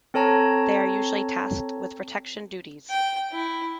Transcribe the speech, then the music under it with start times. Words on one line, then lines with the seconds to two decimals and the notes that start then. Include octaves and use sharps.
They are usually tasked with protection duties.
0.14 C4 A4 C#5 A5 A#5
2.90 G5
3.32 E4